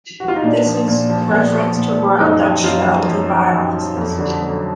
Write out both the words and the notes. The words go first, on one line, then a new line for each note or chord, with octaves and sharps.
This is referenced to Royal Dutch Shell Dubai Offices.
F#4
F4
D#4
A#2 D4
F3
A#2
F3
A#2 B3
F3
A#2
F3
F#2 D#4
F3
F#2 F4
F3
F#2
F3
F#2
F3
F2
D3
F#3